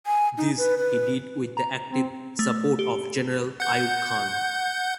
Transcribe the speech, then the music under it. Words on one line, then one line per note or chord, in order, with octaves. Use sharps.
This he did with the active support of General Ayub Khan.
G#5
D#4
B4
B4
A#5
C4
A3
G4
F#5 G6